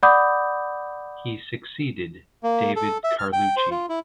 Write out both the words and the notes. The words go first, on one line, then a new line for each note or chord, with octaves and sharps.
He succeeded David Carlucci.
D5 F#5 B5 D6 D#6 G6
A#3
A4
E5
F6
G5
C5
F4
E4